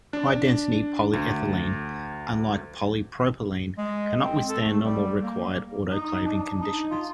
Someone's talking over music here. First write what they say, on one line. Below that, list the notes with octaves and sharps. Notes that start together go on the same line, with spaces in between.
High-density polyethylene, unlike polypropylene, cannot withstand normally required autoclaving conditions.
D4
D2
G#3
C4
A4
A3
G3
A#3
D#4
D4
D#4
F4